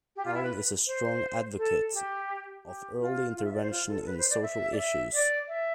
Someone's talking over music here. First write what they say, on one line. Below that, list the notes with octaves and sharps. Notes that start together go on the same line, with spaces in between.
Allen is a strong advocate of early intervention in social issues.
G4
F4
E4
B4
C5
A4
G4
G4
F4
F4
E5
D5
C5
F4
A4
A4
B4
C5
D5
E5
D5
E5
D5
E5